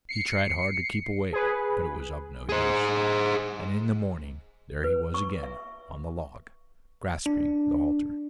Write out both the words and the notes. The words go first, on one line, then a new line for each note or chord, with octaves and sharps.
He tried hard to keep awake, but it was of no use, and in the morning there he was again on the log, grasping the halter.
C7 C#7
G#4 B4
G#4 C5
B4
C#6
E5
D4